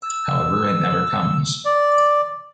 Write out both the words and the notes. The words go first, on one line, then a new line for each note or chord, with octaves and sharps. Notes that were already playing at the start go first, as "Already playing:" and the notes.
However, it never comes.
E6
D5